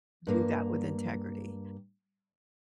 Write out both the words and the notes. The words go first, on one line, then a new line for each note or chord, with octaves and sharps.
do that with integrity.
G2 A#3